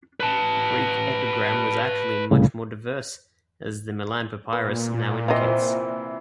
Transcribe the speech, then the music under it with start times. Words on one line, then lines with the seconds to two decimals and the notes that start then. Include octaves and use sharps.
Greek epigram was actually much more diverse, as the Milan Papyrus now indicates.
0.20 B4 A5
2.31 C2 A2 C#3
4.53 A#2 B3
5.28 C3 E3 D#5 F5 C6